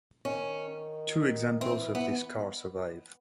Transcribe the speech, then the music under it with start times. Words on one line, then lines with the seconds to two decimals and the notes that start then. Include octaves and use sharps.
Two examples of this car survive.
0.25 D#3 C#4
1.60 E3 C4
1.95 E3 B3